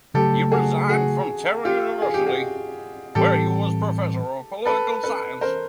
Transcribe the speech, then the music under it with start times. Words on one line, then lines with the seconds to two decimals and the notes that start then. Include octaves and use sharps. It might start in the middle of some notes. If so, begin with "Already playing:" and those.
He resigned from Tehran University, where he was professor of political science.
0.14 C#3 F#3 A3 G4 A4
0.52 F#4 G#4
0.89 F#4 G#4
1.65 F4 G4
2.02 G#4
2.14 G4
2.26 F#4 G#4
3.15 A2 E3 G3 C4 G4 A4
4.65 A4 B4
5.03 A4 B4
5.41 A#4 C5